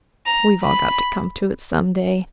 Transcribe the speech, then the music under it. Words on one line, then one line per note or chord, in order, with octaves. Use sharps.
We've all got to come to it some day.
A#5
B5